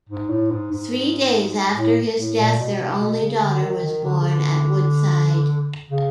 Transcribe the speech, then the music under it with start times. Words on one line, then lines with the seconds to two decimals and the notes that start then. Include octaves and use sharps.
Three days after his death, their only daughter was born at Woodside.
0.09 G#2
0.30 A2
0.51 G#2
0.72 G#2
1.75 A2
2.17 A2
2.38 A#2
2.59 B2
2.80 C3
3.00 B2
3.21 C#3
3.41 D3
3.63 D#3
3.83 D#3
4.05 D3
4.20 C#3
4.25 D3
5.91 C#3